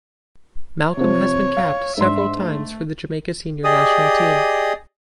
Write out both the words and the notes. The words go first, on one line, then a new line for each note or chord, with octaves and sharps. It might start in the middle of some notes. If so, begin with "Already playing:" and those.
Malcolm has been capped several times for the Jamaica senior national team.
C3 F3 C#5
F5
G#2 D4 E5 C6
A3
G4 G#4 D5 D#5 D#6